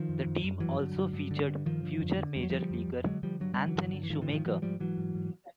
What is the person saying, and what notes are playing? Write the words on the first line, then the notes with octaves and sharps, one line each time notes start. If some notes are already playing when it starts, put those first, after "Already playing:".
The team also featured future major leaguer Anthony Shumaker.
Already playing: D#3 F3
F#2
F#2
F#2
G2 E3 F#3
D3
G2
G2
D3
G2
G2 D#3 F3
D3
F2
D3
F2 G3
F#3
D3 F3 G3
F2
F2
D3 F#3 G#3
D3 F3 G3
G2 F#3
D3 G3
E3 F#3
G2
D3
E3
G#2 D#3 F3
D3 E3
G#2
D#3 F3
G#2 E3 F#3
G#2 F3 G3
G#2 E3 F#3
G#2
G#2